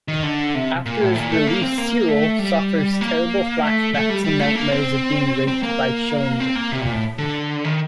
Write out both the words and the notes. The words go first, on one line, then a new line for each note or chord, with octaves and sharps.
After his release Cyril suffers terrible flashbacks and nightmares of being raped by Schillinger.
D#3
D3
C3
A#2
A2
A#2
A3
A#3
C4
A#3
A3
G3
A#3
A3
A3
G3
G3
A3
A#3
C4
C4
A#3
C4
A#3
C3
A#2
A2
D3
D#3